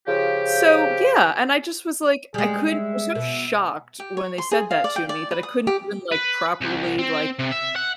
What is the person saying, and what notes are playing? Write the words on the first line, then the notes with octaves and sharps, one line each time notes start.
so yeah, and I just was, like I couldn't was so shocked when they said that to me that I couldn't even, like, properly, like
C#3 F3 G4
G3 G#3 G#4
E5
B2
G4
C#5
C6
G#4
F5
D5
G5
D5
B4
D#6
G4
B4
C2
C4
C3
E5
F#5